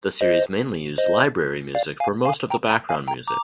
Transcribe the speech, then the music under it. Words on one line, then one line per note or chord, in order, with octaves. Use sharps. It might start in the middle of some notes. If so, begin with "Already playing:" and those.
The series mainly used Library music for most of the background music.
C5 D#5
C5 D#5
D5 F5
F5 G#5
F5 G#5
G5 A#5
G5 A#5
F5 G#5
G5 A#5
A#5 D6